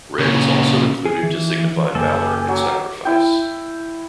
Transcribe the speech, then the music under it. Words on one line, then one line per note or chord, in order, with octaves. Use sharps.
Red is also included to signify valor and sacrifice.
A#2 C#3
G#4
E3
F#1 F#2 A#3 G4 A4 G#5
F#3
E4 G5